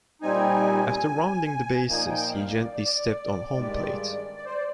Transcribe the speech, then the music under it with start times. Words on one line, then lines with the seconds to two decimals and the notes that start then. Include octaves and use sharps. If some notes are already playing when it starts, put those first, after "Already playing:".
After rounding the bases, he gently stepped on home plate.
0.21 A#2 G3 C4 D#4 G#5
1.88 A#2 F3 A#3 D#4 G#5
2.09 G5
2.30 F5
2.50 D5
2.71 D5
3.55 G2 D#3 G#3
4.37 D5
4.46 C5
4.54 D5